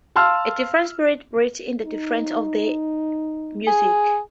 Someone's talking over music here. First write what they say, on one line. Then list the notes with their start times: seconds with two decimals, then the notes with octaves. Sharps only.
A different spirit breathes in the difference of the music.
0.16 F5 A5 C6 E6 F6
1.84 D#4
3.67 G#4